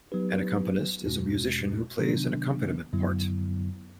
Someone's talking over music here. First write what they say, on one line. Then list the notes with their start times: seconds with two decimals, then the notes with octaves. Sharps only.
An accompanist is a musician who plays an accompaniment part.
0.12 F#3 B3 D#4 G4 B4
1.05 E2 B2 G#3 C#4 F#4
1.99 C3 D#3 F#3 B3 D4
2.93 F#2 D3 F#3 B3 E4